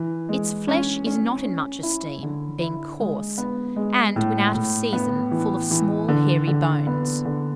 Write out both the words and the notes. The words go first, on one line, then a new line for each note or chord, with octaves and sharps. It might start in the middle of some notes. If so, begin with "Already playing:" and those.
Its flesh is not in much esteem, being coarse, and, when out of season, full of small hairy bones.
Already playing: E3
G#3
C#4
C#4
C#4
E4
D3
E4
G#3
B3
G#3
A2
A2
B3
E3
E3
D3
D3
B3
D3